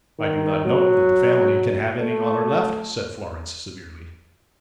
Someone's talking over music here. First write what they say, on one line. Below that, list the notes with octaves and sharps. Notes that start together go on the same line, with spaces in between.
"I do not know that the family can have any honor left," said Florence, severely.
D#3
F#3
A3